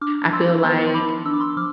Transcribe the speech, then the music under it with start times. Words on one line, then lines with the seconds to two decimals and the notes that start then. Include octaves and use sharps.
I feel, like,
0.01 D4 D6 F6
0.33 F3 C6 E6
0.64 B3 A5 C6
0.87 C6
0.94 F3 B5 D6
1.26 D4 E6
1.34 D6
1.40 C6 E6
1.57 F3 D6 F6